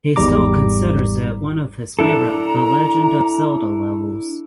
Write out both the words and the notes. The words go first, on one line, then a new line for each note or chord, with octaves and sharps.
He still considers it one of his favorite "The Legend of Zelda" levels.
G#1 E2 G#2 G3 A#5 D6
D4 E4 A4 A#5